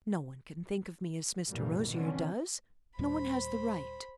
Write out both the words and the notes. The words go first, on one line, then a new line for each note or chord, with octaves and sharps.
"No one can think of me as Mr. Rosier does; no one has the right."
C2 F#2 A#2 E3 G3 A#3
B2 D3 E3 F3 C4 C#4
D#2 A#2 G3 C5 B5